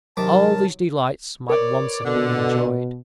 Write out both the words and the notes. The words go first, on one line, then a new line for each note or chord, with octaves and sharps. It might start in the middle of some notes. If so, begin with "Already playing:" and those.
All these delights might once have been enjoyed.
C3 D#3 F#3 A#4 A5 D6
A#4 B4 C#5 D5
B2 D3